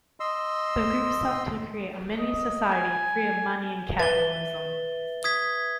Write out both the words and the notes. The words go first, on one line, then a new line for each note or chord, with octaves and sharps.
The group sought to create a mini-society free of money and capitalism.
D#5 C6 E6
D#5
G#5
B4 E5 A6 G7
D#6 G#6 B6